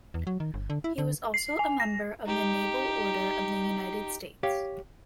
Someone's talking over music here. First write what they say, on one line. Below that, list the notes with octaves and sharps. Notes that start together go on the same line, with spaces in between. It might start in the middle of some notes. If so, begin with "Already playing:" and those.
He was also a member of the Naval Order of the United States.
E2
F#3
D#3
G1
D3
E4
D3
C7
G#5
A#6
D#4 G4
G4 C#5 F5